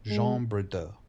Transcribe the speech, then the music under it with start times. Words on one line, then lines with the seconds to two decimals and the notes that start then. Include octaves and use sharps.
Jean Bridaux.
0.09 G#3